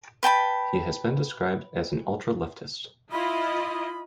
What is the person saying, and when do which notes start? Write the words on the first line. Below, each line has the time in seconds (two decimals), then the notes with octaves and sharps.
He has been described as an ultra-leftist.
0.23 B4 G5 A5 B5
3.12 E4 F4 D#5 B5